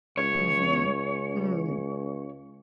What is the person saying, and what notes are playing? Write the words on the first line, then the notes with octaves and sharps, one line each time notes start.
Mhm, mm.
C#2 C#5